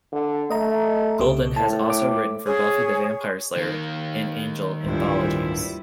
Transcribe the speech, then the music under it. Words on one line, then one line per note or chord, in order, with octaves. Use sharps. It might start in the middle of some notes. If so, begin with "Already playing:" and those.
Golden has also written for "Buffy the Vampire Slayer" and "Angel" anthologies.
D3
A3 D#5 A#5
C2 C#3 G4
A2 A5
D6
G#4 C#5
D#3 A#3
D1 G2 A#2 F3 G3 E4 C5